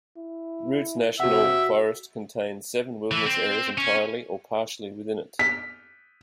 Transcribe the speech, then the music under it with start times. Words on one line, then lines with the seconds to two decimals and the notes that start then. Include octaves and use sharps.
Routt National Forest contains seven wilderness areas entirely or partially within it.
0.17 E4
1.20 C3 F#4 E5 F#5
3.11 E3
3.26 C4
3.78 C#4
5.39 B6